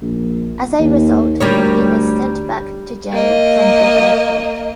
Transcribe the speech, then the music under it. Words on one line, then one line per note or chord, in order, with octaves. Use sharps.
As a result, he was sent back to jail from the airport.
A#1
D#2
D2 G3 A#4 C#5
A#3 D#5